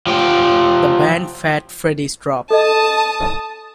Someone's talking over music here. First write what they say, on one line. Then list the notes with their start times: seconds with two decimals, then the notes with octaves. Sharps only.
The band Fat Freddy's Drop.
0.07 F3 G4
2.50 A4 D#5 A5 D#6